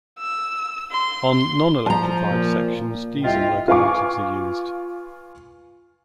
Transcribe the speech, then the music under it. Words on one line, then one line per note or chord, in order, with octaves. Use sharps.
On non-electrified sections diesel locomotives are used.
E6
C6
C6
F3 A5 A#5
A#2
A#2
C2 F4 D#5 E5 G5
F4 B4 F5 G#5 C#6 D6